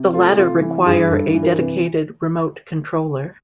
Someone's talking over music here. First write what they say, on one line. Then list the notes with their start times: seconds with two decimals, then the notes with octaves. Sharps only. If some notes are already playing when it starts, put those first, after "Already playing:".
The latter require a dedicated remote controller.
Already playing: C3
0.13 A3 F4
0.37 C3 F4
0.61 E3
0.86 G2 G#4
1.11 G2 A4
1.34 E3
1.43 A#4
1.58 C3 B4